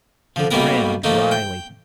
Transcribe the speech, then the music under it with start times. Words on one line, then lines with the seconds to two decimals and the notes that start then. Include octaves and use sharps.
He grinned wryly.
0.36 D3 F3
0.51 B1 B2 G3 A#3 B3 A#4
1.04 F3 A3 A#3 D#4
1.31 G5